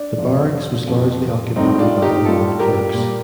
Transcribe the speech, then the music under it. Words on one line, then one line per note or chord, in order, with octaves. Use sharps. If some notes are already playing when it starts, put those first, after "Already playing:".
The Barracks was largely occupied by unarmed clerks.
Already playing: D4
F2 C3 F3
F2 C3 F3
A2 G3 C4 D#4
D4 F4
D#4 G4
A2 G3 F4 A4
G4 A#4
A#2 G3